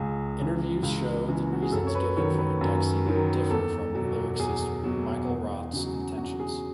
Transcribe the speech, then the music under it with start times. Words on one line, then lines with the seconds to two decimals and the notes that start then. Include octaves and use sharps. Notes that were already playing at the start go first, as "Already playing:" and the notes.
Interviews show the reasons giving for indexing differ from lyricist Michael Roth's intentions.
Already playing: C#2 G#4
0.39 C#3 E3
0.83 C#2
1.28 C#3 E3
1.53 F#4
1.62 G#4
1.72 F#2 A4
1.87 C#5
1.95 B4
2.17 D#3 F#3 C#5
2.39 B4
2.61 F#2
3.06 D#3 F#3
3.50 E2 A4
3.95 B2 F#3
4.39 E2 G#4
4.84 B2 F#3
5.29 E2
5.73 C#3 F#3
6.17 E2 F#4
6.40 G#4